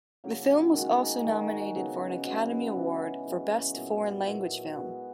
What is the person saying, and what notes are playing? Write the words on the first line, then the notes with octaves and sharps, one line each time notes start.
The film was also nominated for an Academy Award for Best Foreign Language Film.
C#3 F#3 A#3 C#4
D#3 G#3 D#4 F#4
D#3 G#3 D#4 F#4
C#3 F#3 B3 F#4
C#3 F#3 B3 F#4
E3 G#3 C#4 F#4
E3 G#3 C#4 F#4
A#2 F#3 B3 E4
A#2 F#3 B3 E4
G#3 B3 F#4